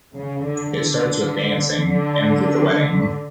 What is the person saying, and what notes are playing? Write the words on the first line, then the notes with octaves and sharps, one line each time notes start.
It starts with dancing, ends with a wedding.
C#3
D3
D3
D3